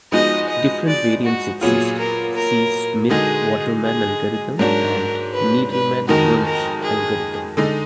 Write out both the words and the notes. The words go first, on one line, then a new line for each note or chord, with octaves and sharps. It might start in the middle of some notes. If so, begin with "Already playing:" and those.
Different variants exist, see Smith-Waterman algorithm and Needleman-Wunsch algorithm.
F3 G#3 B3 D#4 F#4 D#5
D#5
D5
F#4
A#2 F#3 B3 F4 G#4
A#4
A#4
D3 G#3 D#4 F#4 G#4
G#4
G#2 F#3 D4 F#4 A#4
B4
B4
F2 D#3 G#3 D#4 F#4 A#4
A#4
G#4
D3 G#3 D#4